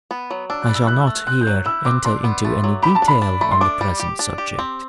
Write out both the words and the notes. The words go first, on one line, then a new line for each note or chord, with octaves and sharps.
I shall not here enter into any detail on the present subject.
B3
F#3
D4 E6
F#6
G3
E6
E4 F#6
E6
A3
C4 F#6
G6
F#3 F#6
E4 E6
C4 D6
D4 C6
B3
A3
F#3
G4 B5
A5
D4
B5
D4
A3 B5
C6
D4 D6
G3
G4
D4
G4
C4